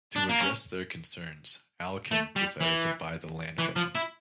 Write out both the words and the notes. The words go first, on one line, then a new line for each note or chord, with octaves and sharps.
To address their concerns Alcan decided to buy the land from them.
D4
A#3
C#4
A3
G3
E3
E3
F3
E4